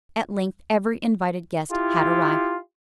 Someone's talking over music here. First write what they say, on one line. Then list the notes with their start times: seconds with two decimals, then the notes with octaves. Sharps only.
At length every invited guest had arrived.
1.71 E4 F4 G4